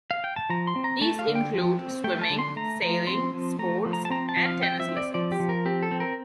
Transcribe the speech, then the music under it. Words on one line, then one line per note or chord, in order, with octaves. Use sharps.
These include swimming, sailing, sports, and tennis lessons.
F5
G5
A5
F3 A#5
C6
C4
A#5
A3 A5
F5
D3
G5
F3
C4
A3 G5
A5
D3
C6
A3 A#5
F3 A#5
C4 C6
F3
A3 A#5
F3
A#5
A5
C4 A#5
A5
F3
F5
C4 G5
E5
C4
D5
F3 D5
G4
F3
A#4
C4 G4
A4
C4
A#4